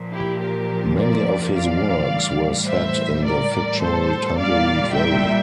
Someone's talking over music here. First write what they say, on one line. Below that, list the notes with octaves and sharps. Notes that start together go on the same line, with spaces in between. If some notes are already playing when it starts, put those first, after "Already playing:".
Many of his works were set in the fictional Tumbleweed Valley.
Already playing: A#2 F3
E4 G4
G4 A#4
A#4 D5
D5 F5
A2 E3 G3
C5 E5
A#4 D5
A4 C5
A#2 G3 D5 F5
E5 G5